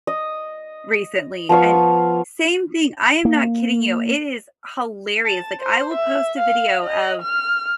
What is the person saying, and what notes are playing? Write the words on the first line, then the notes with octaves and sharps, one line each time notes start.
recently, and same thing, I am not kidding you, it is hilarious, like I will post a video of
D#5
F3 B3 F5 C#6
A#3
A5
C5
E5
F5
D#5
F6